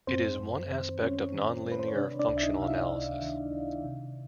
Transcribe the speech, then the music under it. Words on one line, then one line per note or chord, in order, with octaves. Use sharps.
It is one aspect of nonlinear functional analysis.
F#2 C4 C5
F#2
D#3
G#3 C#4 C#5
D#3
G#3
B4
C5
C#5
C3 D4 D5
D4 D5
C#2
E5
D#4 D#5
C3 F5
E4 E5
C#2
D#3
D#3
C3